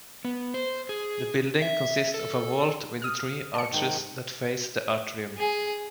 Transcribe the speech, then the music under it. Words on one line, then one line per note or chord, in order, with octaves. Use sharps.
The building consists of a vault with three arches that face the atrium.
B3
C5
G#4
E5
A4
D#6 F6
A5 C#7
G#2 D#3
G#4